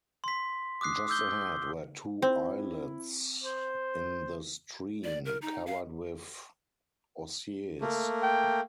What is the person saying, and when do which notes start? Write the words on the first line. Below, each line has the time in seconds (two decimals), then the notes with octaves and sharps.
Just ahead were two islets in the stream, covered with osiers.
0.24 C6 B6
0.81 D6 D#6 F#6 C7
1.08 D6 E6 G6 G7
2.22 C4 E4
3.44 C5
5.04 D5
5.26 A#4
5.42 D#4
5.66 F5
7.81 A3 A#3
8.23 G5